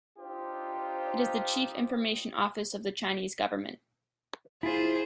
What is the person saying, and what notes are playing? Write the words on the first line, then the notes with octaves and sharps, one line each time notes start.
It is the chief information office of the Chinese government.
D4 D#4 F4 G4 C5
E4 F4 G#4 C5